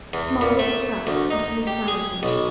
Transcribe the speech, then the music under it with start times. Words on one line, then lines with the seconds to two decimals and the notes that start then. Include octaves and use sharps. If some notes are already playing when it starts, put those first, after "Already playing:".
Margaret sat utterly silent.
0.13 E2
0.41 A#2
0.59 A3
1.07 D2
1.30 D#4
1.67 G4
1.88 G#4
2.23 B1